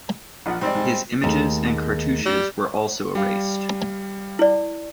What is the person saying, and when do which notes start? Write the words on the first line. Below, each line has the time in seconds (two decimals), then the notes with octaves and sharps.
His images and cartouches were also erased.
0.46 A#1 F3 F#5
0.62 G#2 G3 C4 D5
0.75 G#2
1.24 D#2 A3 D#4 G#4
2.26 G3
3.15 G3 F5
4.39 E4 D5